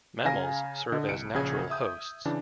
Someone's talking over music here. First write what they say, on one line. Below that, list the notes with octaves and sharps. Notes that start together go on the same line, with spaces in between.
Mammals serve as natural hosts.
C#3 F5 G#5 A#5 A#6
D3 D#5
C2 C#7 D7
A#1 C#3 G#4 G#6
E5 D#6 G6
C#3 E3 D4